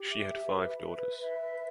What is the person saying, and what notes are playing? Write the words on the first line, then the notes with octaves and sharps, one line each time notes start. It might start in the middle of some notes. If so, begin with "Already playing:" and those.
She had five daughters.
Already playing: G4
E5
B4
B4
E5